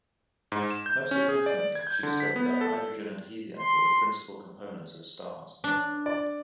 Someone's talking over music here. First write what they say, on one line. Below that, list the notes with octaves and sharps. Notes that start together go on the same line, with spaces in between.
Most significantly, she discovered that hydrogen and helium were the principal components of stars.
G#2
E7
G6
C#4
G#4
D5
G#6
G6
D3
B6
B3
A4
C6
D4
D5